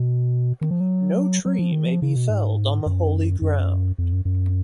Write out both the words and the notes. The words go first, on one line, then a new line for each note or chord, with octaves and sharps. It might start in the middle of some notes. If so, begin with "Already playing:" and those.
No tree may be felled on the holy ground.
Already playing: B2
D#3
F3
F#3
F#3
F3
D#3
F3
C#3
B2
G#2
F#2
F#2
F2
F#2
F#2